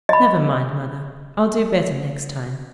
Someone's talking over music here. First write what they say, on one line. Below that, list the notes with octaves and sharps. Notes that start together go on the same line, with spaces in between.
'Never mind, Mother; I'll do better next time.'
D#5 B5